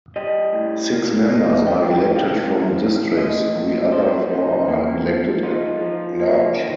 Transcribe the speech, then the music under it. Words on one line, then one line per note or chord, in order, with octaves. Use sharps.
Six members are elected from districts the other four are elected at large.
G3 D#5
A2
A#3
D#4
G3 G5
G5
A2
F5
C4
A2
A3 D#5
A#2
C4 C5
D#4
A#3
F3
D#4 F4
F3
A#3
D#3